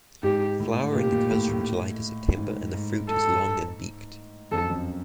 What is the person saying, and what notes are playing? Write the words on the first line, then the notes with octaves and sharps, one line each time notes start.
Flowering occurs from July to September and the fruit is long and beaked.
G#2 G4
A2
A#2 G4
A#2
A2
A2
G#2
G#2
A4
F2 A4
F#2
F2